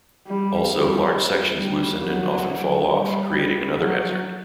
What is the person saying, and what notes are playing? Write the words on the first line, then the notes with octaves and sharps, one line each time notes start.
Also, large sections loosen and often fall off, creating another hazard.
G3
G3
G3
F#3
G3
F#3